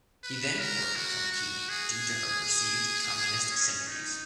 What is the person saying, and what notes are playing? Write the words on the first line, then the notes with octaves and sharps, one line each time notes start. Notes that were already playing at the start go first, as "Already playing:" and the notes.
He then broke from Keating due to her perceived communist sympathies.
B4
A#4
F#4
F#4
G#4
C#4
D#4